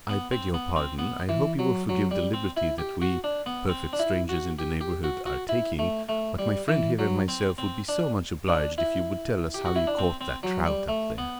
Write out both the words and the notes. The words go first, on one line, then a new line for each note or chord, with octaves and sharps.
"I beg your pardon, I hope you will forgive the liberty that we--perfect strangers in the neighbourhood--are taking, but my friend here and myself would be so much obliged if you would tell us how you caught that trout up there."
B3
C4
B3
C4
B3
E3
F#3
F#3
G3
C4
E4
G4
F#4
D4
B3
C4
D4
E4
F#4
G4
G4
F#4
F#4
E4
A3
A3
G3
E3
F#3
C4
C4
D4
D4
E4
G4
F#4
E4
D4
C4
C4
F#3
G3
A3
B3